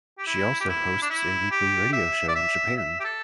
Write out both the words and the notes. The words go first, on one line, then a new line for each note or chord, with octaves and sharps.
She also hosts a weekly radio show in Japan.
G4
E4
G4
E4
D4
E4
G4
E5
D5
E5
E5
G4
A4